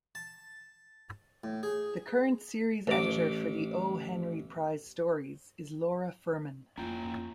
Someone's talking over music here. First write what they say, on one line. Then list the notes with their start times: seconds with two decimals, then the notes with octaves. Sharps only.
The current series editor for "The O. Henry Prize Stories" is Laura Furman.
0.15 A5
1.44 A2
1.63 G#4
2.87 A1 D6
6.78 F2 A#3 C#4 E4 F4 G5